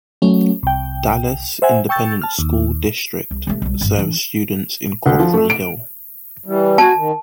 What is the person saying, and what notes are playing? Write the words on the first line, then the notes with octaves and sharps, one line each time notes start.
Dallas Independent School District serves students in Cockrell Hill.
F#3 A3 C#4
C2 G5
C5 E5 F#5 G#5
G5 C#6 E6 G6 A6
A5 F6
D#2
C2
C3 A3
B1 G3
G1 A2
E3 D4
D2
F3
A3
D7
E3 G3
F#4 G#5 A5
D#3